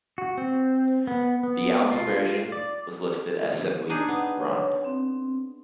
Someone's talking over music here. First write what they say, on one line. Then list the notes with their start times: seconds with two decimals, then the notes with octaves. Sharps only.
The album version was listed as simply "Run".
0.18 F#4
0.38 C4
1.07 B3
1.43 B3
1.91 F4
2.52 D5
3.90 D4 D#4 G#4
4.08 B3
4.40 C#5
4.85 C4